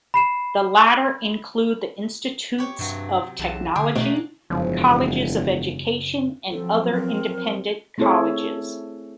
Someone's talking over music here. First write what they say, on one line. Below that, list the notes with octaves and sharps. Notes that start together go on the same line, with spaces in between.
The latter include the Institutes of Technology, Colleges of Education, and other independent colleges.
B5 C7 E7
G4 C#5
G2 C3 F#3
B1 E2 A5
D3 G#4 G5
B2 A3 A#3 D4
E1 F#2 C#3 F3
F3 F#3 C4 A4
A#4
A3 C4 E4 G#4 A4 C#5